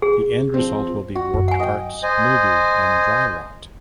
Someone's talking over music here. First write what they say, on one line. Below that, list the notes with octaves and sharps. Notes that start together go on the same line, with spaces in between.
The end result will be warped parts, mildew, and dry rot.
G#4
F3 C4
F#4
F#2
F#5 G#5
D#5 G5
C5 D#5 G#5